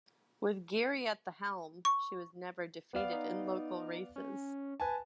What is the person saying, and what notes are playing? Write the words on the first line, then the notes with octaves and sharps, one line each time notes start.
With Geary at the helm, she was never defeated in local races.
C#6
B3 D5 F5
D#4
C#4
B4 G#5 A5